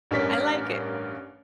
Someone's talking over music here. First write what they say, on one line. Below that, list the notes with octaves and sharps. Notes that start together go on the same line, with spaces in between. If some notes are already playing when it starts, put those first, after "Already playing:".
I like it.
A1 G2 C#4 A#4 D5 B6